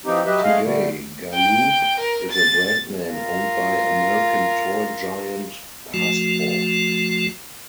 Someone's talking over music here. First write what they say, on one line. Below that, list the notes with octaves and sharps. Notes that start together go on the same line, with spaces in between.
Today Galoob is a brand name owned by American toy giant Hasbro.
E3 F3 C4 D#4 G4
F#3 G4 B4 D#5 E5
G#3 A3 G#4 D#5 F5
D3 G3 A3
G5
A#4
A6
F4 A#4
F3 A3 F#4